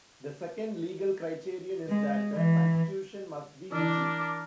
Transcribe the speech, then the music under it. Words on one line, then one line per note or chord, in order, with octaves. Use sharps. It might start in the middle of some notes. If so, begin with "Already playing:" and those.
The second legal criterion is that the constitution must be rigid.
G#3
E3
E3 D4 E4 A#4 D6